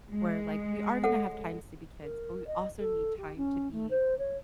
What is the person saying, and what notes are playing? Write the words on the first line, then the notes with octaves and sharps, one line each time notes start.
Where like, we are going to have times to be kids, but we also need time to be,
G#3
A4 C#5 F#5
A#4
D#5
A4
G4
C#4
A3
C5
C#5